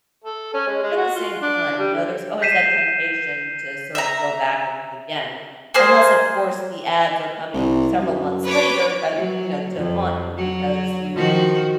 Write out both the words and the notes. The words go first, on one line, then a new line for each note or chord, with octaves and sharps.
at the same time, you know, there's always that temptation to sort of go back and look again. Unless, of course, the ads are coming several months later, uh, you know, to haunt you because you
A4
C#4
G#3
G#3
F#4
F4
D4
G3
D3
G6 B6 C7 D#7 E7
E5 A#5
A#3 G#4 C5
C2
F#2
B4 C#5 D6
F#3
F2
F#3
D#3 F3 F#4